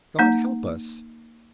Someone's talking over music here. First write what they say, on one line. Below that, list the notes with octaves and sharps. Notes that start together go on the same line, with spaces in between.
God help us!
A#3 D#4